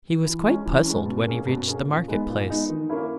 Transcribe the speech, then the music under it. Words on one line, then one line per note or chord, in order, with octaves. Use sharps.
He was quite puzzled when he reached the market-place.
E3
G#3 C#4
E3
G#3 C#4
B2
A#3 C#4 G#4
B2
A#3 C#4 G#4
A#2
G#3 B3 D#4
A#2
G#3 B3 D#4
D#3
A#3 C#4 E4